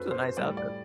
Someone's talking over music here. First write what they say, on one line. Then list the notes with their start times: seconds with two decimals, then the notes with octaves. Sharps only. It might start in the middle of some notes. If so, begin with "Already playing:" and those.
It's a nice outfit.
Already playing: F#2 F#3 A3 A4 B4 C5
0.11 C5
0.37 A2 G3 D5
0.57 D5